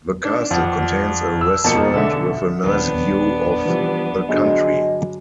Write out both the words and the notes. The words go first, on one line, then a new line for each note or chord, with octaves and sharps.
The castle contains a restaurant with a nice view of the country.
D4
F2 F#5
E6
F2 B2 A#3 A5 C#7
E1 D3 A4 E5
D#1 B3 D4
E3 F3 G3
G2 D3 F#3 G#3